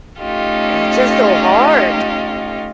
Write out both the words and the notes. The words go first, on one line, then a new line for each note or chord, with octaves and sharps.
They're just so hard.
A3 C#4 D#4 F4 G4 A4